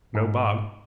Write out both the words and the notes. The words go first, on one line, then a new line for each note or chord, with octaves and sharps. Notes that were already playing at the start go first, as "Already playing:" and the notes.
No Bob.
G#2